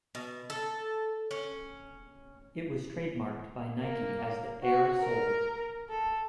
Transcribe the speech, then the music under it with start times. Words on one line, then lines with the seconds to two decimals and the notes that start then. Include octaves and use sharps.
It was trademarked by Nike as the "Air" sole.
0.15 B2
0.50 A4
1.31 C#4
3.81 A#3
4.63 F#4
5.00 A#4
5.89 A4